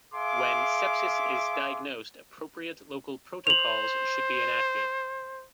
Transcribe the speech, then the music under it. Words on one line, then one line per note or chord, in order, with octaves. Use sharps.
When sepsis is diagnosed, appropriate local protocols should be enacted.
G#4 E5 F5 C6 D6
C5 F7 F#7